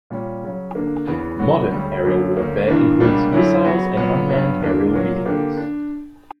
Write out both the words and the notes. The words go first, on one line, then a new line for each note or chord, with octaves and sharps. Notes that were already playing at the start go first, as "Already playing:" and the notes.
Modern aerial warfare includes missiles and unmanned aerial vehicles.
A#2 G3 C#4
C#3 F#3 C#4
D3 A#3 D4
E2 C#3 E3 B3
D3 F#3 B3 F#4
D2 C#3 G3 C#4
F#2 D3 F#3 A#3
D2 D3 A#3 C#4
G2 E3 A#3 D4
C#2 B2 G3 A#3 D4
F#2 D3 F#3 C#4 E4
C#3 F#3 B3 F#4
A#2 F#3 B3
G2 F#3 B3
E2 D3 A#3 D4
A#2 F#3 A#3
D3 A#3 D4 G4
D4